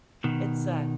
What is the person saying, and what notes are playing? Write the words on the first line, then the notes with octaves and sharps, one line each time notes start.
it's a
B2 D#3